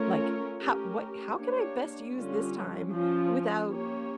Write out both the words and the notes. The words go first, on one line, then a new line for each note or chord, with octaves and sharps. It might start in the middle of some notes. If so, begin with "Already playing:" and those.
like, "How what how can I best use this time without"
Already playing: A3 C#4 F4 A#4 C#5
A3 C#4 G4 A#4
A#3 D4 G4 C#5
D3 G3 C#4 F4
F3 C#4 F4
A#3 C#4 G4 C#5